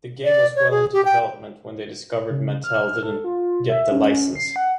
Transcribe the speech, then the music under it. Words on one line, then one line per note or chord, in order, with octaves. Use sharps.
The game was well into development when they discovered Mattel didn't get the license.
D5
C#5
G#4
G4
G5
C#3
F6
A4
F4
E5
C#4
C7
F#5